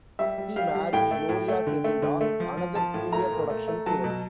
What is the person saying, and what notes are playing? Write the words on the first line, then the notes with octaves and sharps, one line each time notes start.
He married Gloria Sevilla, another Premiere Production siren.
G3 E5
G3
G3 F5
G3
A2 G5
A3
A2
A3
D3
A3
D3
A3
F3
F3
F3 A5
A2
A3 A#5
A#2
A3
A3
F#3 A5
B2